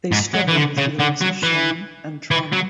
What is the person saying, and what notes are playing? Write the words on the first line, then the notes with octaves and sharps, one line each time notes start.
They struggled with feelings of shame and trauma.
G#2
F#3
E3
D3
C#3
D3
F#3
E3
E3
F#3